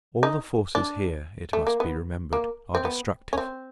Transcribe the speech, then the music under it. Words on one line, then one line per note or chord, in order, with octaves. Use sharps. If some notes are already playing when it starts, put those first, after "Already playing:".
All the forces here, it must be remembered, are destructive.
D#4
D4
A3
A#3
B3
A#3
C4
B3
C#4
C4